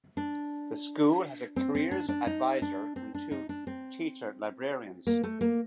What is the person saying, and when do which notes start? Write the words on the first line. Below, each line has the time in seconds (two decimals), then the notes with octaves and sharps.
The school has a Careers Adviser and two teacher-librarians.
0.17 D4
1.56 C4
1.75 C4
1.91 D4
2.09 D4
2.27 D#4
2.62 D4
2.96 C4
3.14 D4
3.31 D#4
3.49 D4
3.67 C4
5.07 A#3
5.24 A3
5.41 A#3